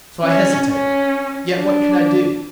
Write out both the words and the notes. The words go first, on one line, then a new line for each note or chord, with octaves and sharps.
So I hesitated, yet what could I do?
C#4
C#4
D4